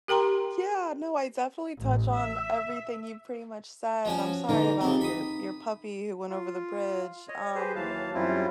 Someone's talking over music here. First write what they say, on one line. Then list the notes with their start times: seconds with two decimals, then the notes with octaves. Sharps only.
Yeah, no, I definitely touch on everything you've pretty much said, and I'm sorry about your your puppy who went over the bridge, um,
0.08 G4 A#4 G5 A#5 C6
1.79 A1
2.14 E5
4.05 F3 C#4 F#4
4.49 D3 E3 D#4
4.81 C#2 G3 C4
5.01 B5 D#6
6.29 F4
7.28 C#5 D#5
7.55 G4 G#4 B4 C5
7.76 D#2 E3 F#3 F5 A5
8.14 F#2 F#3 G3 C4 E4 F4